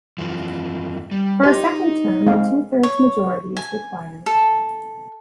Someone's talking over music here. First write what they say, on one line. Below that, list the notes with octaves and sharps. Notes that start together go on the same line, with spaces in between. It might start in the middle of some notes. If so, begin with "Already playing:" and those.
For a second term, a two-thirds majority is required.
F#2 E3 F3
G3
D#4 G4 C5 D#5
G#3 C4 F5
C#5
G#5
A4